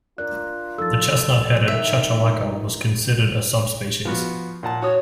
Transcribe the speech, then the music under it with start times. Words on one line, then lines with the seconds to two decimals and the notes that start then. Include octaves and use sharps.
The chestnut-headed chachalaca was considered a subspecies.
0.18 D4 F4 A#4 D5 F#6
0.78 F3 D#4 A4 E6 A6
1.68 D#3 E5
2.19 G#3 D#4 F4 A#4
4.05 F3 B3 F#4
4.63 A#2 F#5 A5
4.82 F#4 C#5 D#6